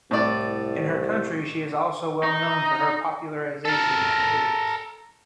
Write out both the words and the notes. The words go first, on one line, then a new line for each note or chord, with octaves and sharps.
In her country she is also well known for her popularization activities.
C2 A2 D5
D#4
A4 A#4